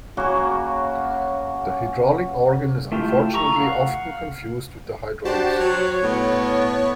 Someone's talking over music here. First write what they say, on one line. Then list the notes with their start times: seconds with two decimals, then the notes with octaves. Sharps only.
The hydraulic organ is unfortunately often confused with the hydraulis.
0.17 C#3 F#3 A#3 F#4
2.92 A3 E4 F4 G4 A5
3.34 A4 A#5 C#6
3.56 F5 F#5
5.25 D4 F#4 G4 C5 A5
5.60 F#3 C#5
6.03 A2 B3